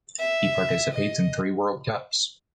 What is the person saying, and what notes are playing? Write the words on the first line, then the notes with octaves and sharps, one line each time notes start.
He participates in three world cups.
E5
D#5